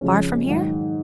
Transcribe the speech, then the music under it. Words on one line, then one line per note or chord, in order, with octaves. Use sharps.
"Far from here?"
F2 C#3 F3 G#3 C#4
G#2 D#3 F#3